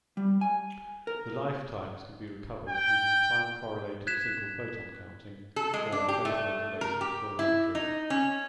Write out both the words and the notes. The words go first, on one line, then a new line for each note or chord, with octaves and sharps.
The lifetimes can be recovered using time-correlated single photon counting or phase-modulation fluorimetry.
G3
G#5
A#4
G5
F#6 G#6 B6 E7
A4
G#3
D4
G4
A3
A#4
G4
E4
D#4
C#4